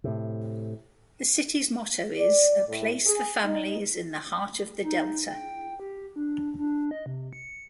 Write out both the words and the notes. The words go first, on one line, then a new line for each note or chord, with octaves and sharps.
The city's motto is, A Place for Families in the Heart of the Delta.
A2 C3
D5
A2
G#4
D#4
D#4
G5
G4
D4
D4
D#5
C3
C#7